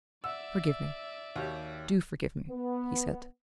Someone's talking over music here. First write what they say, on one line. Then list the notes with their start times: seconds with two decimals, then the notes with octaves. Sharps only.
"Forgive me--do forgive me," he said.
0.24 D5 E5 F#5 E6
1.36 D#2 F#4 G4 C#5
2.50 B3